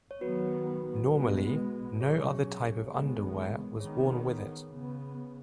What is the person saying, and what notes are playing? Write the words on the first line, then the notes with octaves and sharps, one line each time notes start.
Normally, no other type of underwear was worn with it.
C#5
D#3 F#3 B3 F#4 B4
B2 G#3 B3
B2 F#3 C#4 G#4 C#5
D#3 G#3 B3
D#3 B3 G#4 C#5
C#3 B3